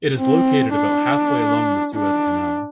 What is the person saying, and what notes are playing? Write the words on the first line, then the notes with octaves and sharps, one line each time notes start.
It is located about halfway along the Suez Canal.
C4
D4
D4